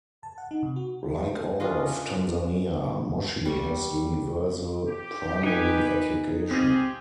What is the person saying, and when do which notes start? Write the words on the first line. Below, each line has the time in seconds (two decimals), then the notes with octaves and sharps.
Like all of Tanzania, Moshi has universal primary education.
0.23 A5
0.38 F#5
0.51 D#4
0.63 C3
0.76 F#4
1.60 C#4 D4 F4 D#5
3.45 G3 C#6
4.88 G4
5.43 D#4 B4 G#5
6.51 C4 F4 G4 G#4